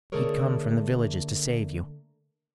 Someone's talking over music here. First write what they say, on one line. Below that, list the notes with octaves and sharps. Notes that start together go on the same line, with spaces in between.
He'd come from the villages to save you.
D3 A3 A#3 G#4 A#4 C#5